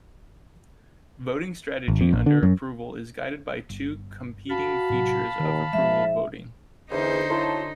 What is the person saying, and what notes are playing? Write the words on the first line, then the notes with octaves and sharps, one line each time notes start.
Voting strategy under approval is guided by two competing features of approval voting.
G#1
F2
A#1
D3
F#2
G1
F#4 F5 A5 B5
A2 C3 F#3
D#2 D#3
G#2 F3 G#3 E5
E2 D3 D#4 C5
F#3 E4 A#4 A5 C6